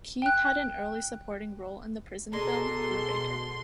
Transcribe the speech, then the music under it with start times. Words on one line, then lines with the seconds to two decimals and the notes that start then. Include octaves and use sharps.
Keith had an early supporting role in the prison film "Brubaker".
0.22 G5 F#6
2.33 B2 G#3 D4 D#4 A4 C6